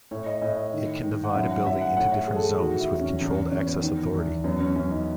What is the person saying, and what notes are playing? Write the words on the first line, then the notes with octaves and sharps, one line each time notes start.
It can divide a building into different zones with controlled access authority.
A2 C#5
D#5
A2 D#5
D#5
D#3
D#3
F#5
F#2 E5
F#5
F#2 E5
F#5
A2 F#5
E5
E3 G#4
A4
G#4
D#3 F#4
E4
E2
C#4
E2 C#4
E2 C#4
B3
D#3
E2
F#2 B3
C#4
F#2 C#4
D#4